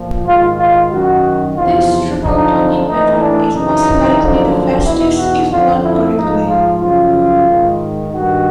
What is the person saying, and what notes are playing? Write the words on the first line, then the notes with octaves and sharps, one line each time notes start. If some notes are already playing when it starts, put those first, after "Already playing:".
This triple tonguing method is most likely the fastest if done correctly.
Already playing: A#2 F3
G#2 D#3 F4
F4
F#2 D#3 F#4
E2 C3 F3 F4
F#2 D3 F3 D#4
A2 E3 D#4
D4
F#2 C#3 E3 D#4
F#2 D3 F3
E2 B2 E4
F#4
F2 D3 F3 F4
E4
G#2 F3 D#4
F4
F#2 C#3 F3 F4
G#2 D#3
G2 D#3 F#4